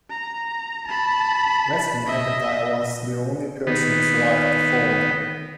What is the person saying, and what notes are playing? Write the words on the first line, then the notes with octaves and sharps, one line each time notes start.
Wesley MacIntire was the only person who survived the fall.
A#5
A5 B5
D#5 E5
D#3 B3